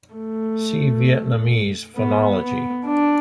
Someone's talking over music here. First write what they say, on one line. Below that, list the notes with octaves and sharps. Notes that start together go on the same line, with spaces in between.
See Vietnamese phonology.
A3
B3
B3
D4